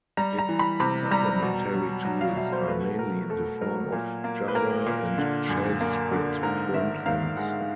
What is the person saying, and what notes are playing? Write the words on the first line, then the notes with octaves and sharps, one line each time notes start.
Its supplementary tools are mainly in the form of Java and shell script front-ends.
G3 A#5
A#5
E3
B5
C3 B5
G3 A#5
B2
F#3
F#3
F5
B2 E5
C5
A3 B4
B2 A#4
A3 A4
F#3 A#4
A#2
A#3
B4
A#3 A#4
A#2
D3
F#2
A#3
D3
G#2 A#4
D#3 E5
G#2 F5
G#3 F#5